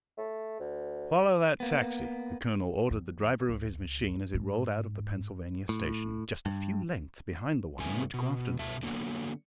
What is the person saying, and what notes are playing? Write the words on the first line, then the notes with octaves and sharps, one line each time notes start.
"Follow that taxi," the colonel ordered the driver of his machine as it rolled out of the Pennsylvania station, just a few lengths behind the one in which Grafton rode.
A3
D2
A#3 B3
E2
C#2
G#2
A2
G2
G2 C#3 A3 B3 E4 G#5
B2
B2 E5 A5
D3 F#3 A#3 B3